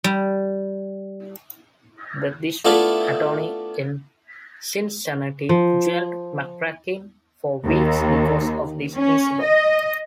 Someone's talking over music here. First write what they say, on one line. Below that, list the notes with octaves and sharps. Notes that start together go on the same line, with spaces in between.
The district attorney in Cincinnati jailed McCrackin for weeks because of this incident.
G3
A3 B3 D4 E4 F4
F3
D#2
C#4
D#5